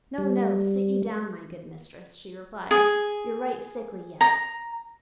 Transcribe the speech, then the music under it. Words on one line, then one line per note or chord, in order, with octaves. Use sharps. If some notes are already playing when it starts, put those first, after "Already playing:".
'No, no; sit you down, my good mistress,' she replied; 'you're right sickly yet.
G3
G#4
A#5